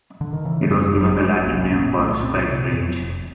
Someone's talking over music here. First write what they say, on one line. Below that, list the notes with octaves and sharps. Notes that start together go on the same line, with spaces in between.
It was given the Latin name for "Straight Range".
D3
D#3
C#3 E3
F#2 G3
G1 F#3
G1 G#3
C2 A#3
A#2 B3
C2 A3
A#2 C4
C3
F2
F1